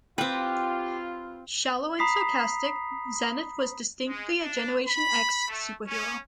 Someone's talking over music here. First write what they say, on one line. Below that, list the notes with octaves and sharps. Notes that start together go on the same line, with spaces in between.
Shallow and sarcastic, Zenith was a distinctly Generation X superhero.
C4 F4 G4 B4
A#5 B5 D#6 B6 C7 F7
G#3
D4
B5
A3
C#4